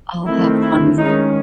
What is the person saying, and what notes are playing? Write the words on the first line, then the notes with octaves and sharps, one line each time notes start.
Oh, how funny.
D#3 A3 C4 E4
E4
D#3 G#3 C#4 D#4